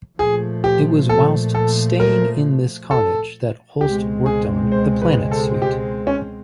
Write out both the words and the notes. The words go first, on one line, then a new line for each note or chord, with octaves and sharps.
It was whilst staying in this cottage that Holst worked on "The Planets" suite.
A#2 F3 A3 G#4
G4
A4
A4
A#4
A4
C#2 B2 G#3 C4 G4
G#4
C5
B4
A4
G4
C#4